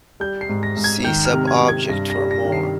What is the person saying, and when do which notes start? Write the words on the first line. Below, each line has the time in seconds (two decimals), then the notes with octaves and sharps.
See subobject for more.
0.20 G3 G6
0.41 C7
0.49 G#2
0.63 A#6
0.77 G#2
0.84 G#6
1.04 D#3 G6
1.25 F6
1.33 C3
1.47 G#6
1.61 C3
1.68 G#6
1.89 G2 A#6
2.10 A#6
2.17 G3
2.31 A#6
2.45 D#3
2.52 C7